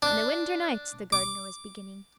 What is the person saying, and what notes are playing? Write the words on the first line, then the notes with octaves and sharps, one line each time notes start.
"In the winter-nights--" the Gardener was beginning.
D4
D6